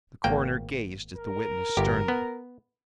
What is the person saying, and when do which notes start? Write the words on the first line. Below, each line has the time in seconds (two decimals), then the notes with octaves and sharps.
The coroner gazed at the witness sternly.
0.24 G#1 A#3 G5
1.16 A#4
1.77 G1 G4
2.08 B3